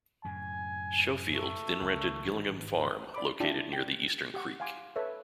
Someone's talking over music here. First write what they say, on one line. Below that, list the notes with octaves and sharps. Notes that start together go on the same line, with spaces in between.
Schofield then rented "Gillingham Farm", located near the Eastern Creek.
F#2 A2 C#3 G#5
A3
C#2
G#1 E3
D5 B5 D6
D4 E4 F4 D5 G5 A5
G5
G4 F#5
F5 F#5 G#5 C6 D6
A4 B4 C#5 E5